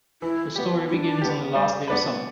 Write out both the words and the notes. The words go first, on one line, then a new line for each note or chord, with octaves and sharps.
The story begins on the last day of summer.
E3 E4
B3 G4
E3 E4
D4
B3 G4
G3
B3 D4 B4